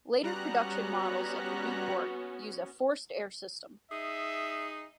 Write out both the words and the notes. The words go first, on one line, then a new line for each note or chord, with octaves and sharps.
Later production models of the Newport use a forced-air system.
G3 B3 C#4 F#4 A#5 F#6
D#4 G#4 E5